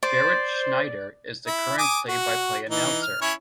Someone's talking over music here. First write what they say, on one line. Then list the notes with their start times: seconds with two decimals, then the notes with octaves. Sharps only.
Jaret Schneider is the current play-by-play announcer.
0.03 C5 D5
1.47 E4
1.78 G#5 D6 D#6
2.08 F#4
2.69 E3 D#4
3.02 F6
3.22 C#4 E4 C#5